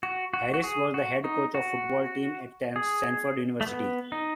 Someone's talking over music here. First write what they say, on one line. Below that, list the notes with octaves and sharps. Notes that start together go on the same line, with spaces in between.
Harris was the head coach of the football team at Stanford University.
F#4
F#4
F#4
G#4
F#4
D#4
F#4
G#4
A3
B3
D#4